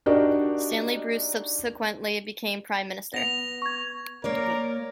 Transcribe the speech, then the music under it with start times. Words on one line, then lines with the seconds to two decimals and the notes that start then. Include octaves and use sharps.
Stanley Bruce subsequently became Prime Minister.
0.06 D4 D#4 F#4 G4 A#4 D5
3.14 B3 A#6 F7
3.62 C#6 G#6
4.24 A#3 A#4 C#5 D5